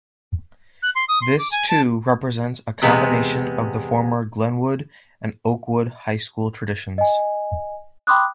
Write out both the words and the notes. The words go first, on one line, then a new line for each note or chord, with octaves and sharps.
This, too, represents a combination of the former Glenwood and Oakwood high school traditions.
F#6
C6
D#6
C6
D6
G#5
A5
E2 C3 G#3 B3
D#5 G#5
G5 B5 C6 D6 D#6 F#6